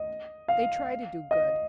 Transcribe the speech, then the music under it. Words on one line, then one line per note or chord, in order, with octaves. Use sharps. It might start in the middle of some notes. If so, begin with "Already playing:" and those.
They try to do good.
Already playing: D#5
F5
D#5